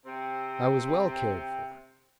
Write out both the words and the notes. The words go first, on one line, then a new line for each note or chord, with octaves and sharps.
I was well cared for.
C3 C4